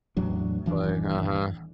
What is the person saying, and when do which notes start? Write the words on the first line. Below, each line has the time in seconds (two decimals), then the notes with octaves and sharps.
Like, uh-huh.
0.17 E2 A2 F#3 D4
0.66 D#1 E3 D4